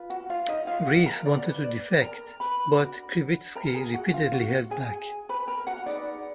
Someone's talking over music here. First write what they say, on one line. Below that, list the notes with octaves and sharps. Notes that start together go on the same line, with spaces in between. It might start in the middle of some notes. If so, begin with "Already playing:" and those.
Reiss wanted to defect, but Krivitsky repeatedly held back.
Already playing: F4 B4
F#4 F#5
F4 F5
D#4 D#5
F4 F5
F#4 F#5
A#4 A#5
D5
B4
D5
A#4 A#5
B4 B5
D4 F#4 A#4
A#4 A#5
G#4 G#5
F#4 F#5
F4 F5
F#4 F#5
G#4 G#5
B4 B5
A#4 A#5
F#4 F#5
D#4 G#4 B4 D5